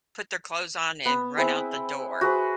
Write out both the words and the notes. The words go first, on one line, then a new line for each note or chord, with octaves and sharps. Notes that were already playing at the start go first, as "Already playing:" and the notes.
put their clothes on, and run out the door,
B3
C4 E4 G#4
F#4 G#4 B4 C5